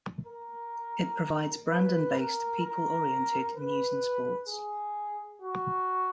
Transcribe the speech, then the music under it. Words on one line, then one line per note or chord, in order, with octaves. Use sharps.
It provides Brandon-based, people-oriented news and sports.
A#4
B4
A#4
A#4
B4
G#4
F#4